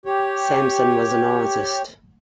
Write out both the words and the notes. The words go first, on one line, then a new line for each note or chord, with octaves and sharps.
Sampson was an artist.
G4 C#5